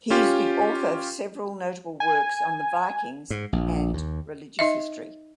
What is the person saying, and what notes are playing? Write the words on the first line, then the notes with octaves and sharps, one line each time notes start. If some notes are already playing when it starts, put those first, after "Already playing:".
He is the author of several notable works on the Vikings and religious history.
C#4 F4 G4
G#5
G#2
A#1
D#2
D#4 D#5 E5